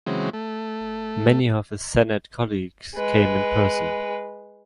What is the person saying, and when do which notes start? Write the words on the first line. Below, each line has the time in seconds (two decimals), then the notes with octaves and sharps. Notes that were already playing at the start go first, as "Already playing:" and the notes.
Many of his Senate colleagues came in person.
0.07 C#3 E3 F#3 G#3 C4
0.33 A3
2.96 G#3 B4